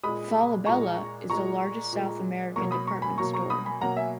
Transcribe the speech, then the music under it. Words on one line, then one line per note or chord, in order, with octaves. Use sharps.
Falabella, is the largest South American department store.
A#2 G#3 B5 D#6
A#2 G#3 A#5 C#6
A#2 G#3 A#5 C#6
A#2 G#3
B2 F#3 A#3 A#5 C#6
B5 D#6
A#5 C#6
G#5 B5
B2 F#3 A#3 A#5 C#6
A#5 C#6
B5 D#6
G#5 B5
B2 F#3 A#3 F#5 A#5
E5 G#5